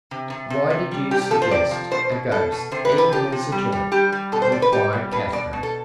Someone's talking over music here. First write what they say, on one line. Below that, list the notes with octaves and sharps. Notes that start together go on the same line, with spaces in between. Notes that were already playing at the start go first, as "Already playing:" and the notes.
"Why did you suggest a ghost even as a joke?" inquired Katherine.
C3
C3
C3
C3
G3
C3 G4
G4
F3 A4
C5
C3 D5
F3
B2 C5
B2
B2 A4
B2
C3 C5
B4
C3
B4
F3 G4
C3
G3
G3
G3 G4
G3
B2 A4
C5
B2 D5
B4
G3 G4
G3
B2 B4
B2 D5
B2
A4